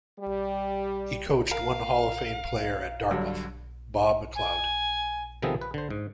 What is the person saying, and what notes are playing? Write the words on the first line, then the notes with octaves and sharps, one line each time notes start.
He coached one Hall of Fame player at Dartmouth, Bob MacLeod.
G3 G4
A#4 F5
G2 D3 F#3
G#5
C3 D#3 F3 B3 G#4 A4
B4
D3 C5
G#2